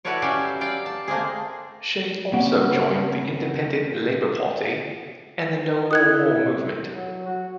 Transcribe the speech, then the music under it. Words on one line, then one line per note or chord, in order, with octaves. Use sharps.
She also joined the Independent Labour Party and the No More War Movement.
E4 F#4 A4 B4 C#5 D5
F#3 C#4 G4 D5 E5 F5
D5 F5 G5
A5
A3 A#3 C4 G#4
C#3 A#3 C4 F#5
E4 D#6 F#6 G#6
F#3
F#4